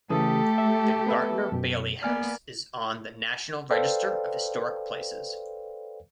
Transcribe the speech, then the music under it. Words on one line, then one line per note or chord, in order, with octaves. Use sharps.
The Gardner-Bailey House is on the National Register of Historic Places.
C#3 E3 A3 G4 A4 D#6
E5
B3 B4 E5
F#2 B2
A#3 B3 D5 G#5 F6
A4 B4 C5 D5 F5 G5